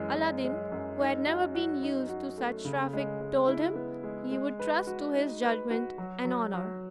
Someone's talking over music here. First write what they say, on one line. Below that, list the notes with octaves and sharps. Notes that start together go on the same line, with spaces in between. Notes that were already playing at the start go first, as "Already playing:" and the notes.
Aladdin, who had never been used to such traffic, told him he would trust to his judgment and honor.
Already playing: F#2 E3 G#3
G#3
G#3
F#2
D#4
F#4
F#4
D#4
F#4
A3
C#3
G#3
G#3
E4
B3
G#3
G#3
B4
F#4
D#4
B4
F#4
F#3
F#3
F#3